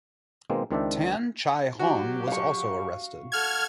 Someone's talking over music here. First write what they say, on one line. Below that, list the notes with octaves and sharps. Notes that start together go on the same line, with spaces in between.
Tan Chai Hong was also arrested.
B2 D#3 G#3 A#3 C4
C#2 D#3 C4 D4 D5 E5
F#3 F#4 G4
F5 C#6
A4 F#5 F6 G#6